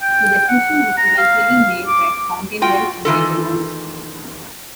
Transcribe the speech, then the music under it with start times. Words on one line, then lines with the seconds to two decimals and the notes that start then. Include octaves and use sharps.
The decision was eventually made that Fountainwell should be demolished.
0.02 G5
0.48 F#5
0.97 A#5
1.18 F5
1.87 D6
2.62 F4 F#4 G5
3.05 D#3 E3 F4 A4